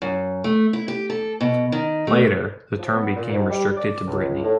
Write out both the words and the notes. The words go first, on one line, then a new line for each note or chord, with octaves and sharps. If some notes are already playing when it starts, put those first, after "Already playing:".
Later, the term became restricted to Brittany.
F#2
A3
E4
G4
A4
B2
D#3
A3
F3
B3
A#2
G#2
G3
D5
C#2
A2